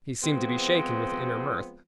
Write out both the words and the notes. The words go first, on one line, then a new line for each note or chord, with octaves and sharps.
He seemed to be shaken with inner mirth.
F3 G#3 B3 C4